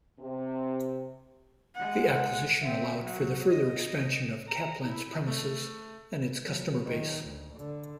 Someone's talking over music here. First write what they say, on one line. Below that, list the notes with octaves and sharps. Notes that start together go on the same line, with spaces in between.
The acquisition allowed for the further expansion of Caplan's premises and its customer base.
C3
G#3 F#5
C4 E5
F#3
D#5
A#5
E4
A3
F#3
D#3
D2
D3